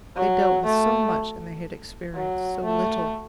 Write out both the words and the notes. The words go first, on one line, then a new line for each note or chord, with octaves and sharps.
They dealt with so much and they had experienced so little.
F#3
A3
F#3
A3